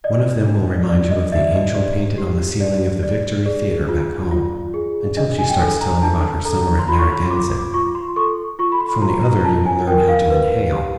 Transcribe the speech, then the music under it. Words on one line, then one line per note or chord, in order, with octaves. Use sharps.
One of them will remind you of the angel painted on the ceiling of the Victory Theatre back home, until she starts telling about her summer at Narragansett; from the other you will learn how to inhale.
D5 D#5
D4
D5
D#5
D5 E5
D#5
G4 D5
G4
D5
D5
G#4 D5
F4
F4
G#4
D4 D#5
G#5
G5
A4 G#5
A#5
D4 A5
A4 A#5
C6
F4 B5
C#6
C6
F4 D6
D6
F4 C#6
C6
A4 C#6
F4 C#6
B5
C6
F4 A#5
A#5
F4 A5
G#5
A#4 G5
F5
B4
G4